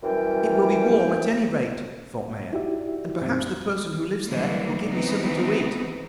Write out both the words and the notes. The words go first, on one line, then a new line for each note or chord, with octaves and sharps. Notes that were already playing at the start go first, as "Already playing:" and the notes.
'It will be warm, at any rate,' thought Maia, 'and perhaps the person who lives there will give me something to eat.
F#2 E3 G3 C#4 G5
D#4 E4 F#4 G4 D5 E5
F#2 B2 C4 D#4
D3 E3 F#3 G3 A3 A#3
E3 B3 C4 D#4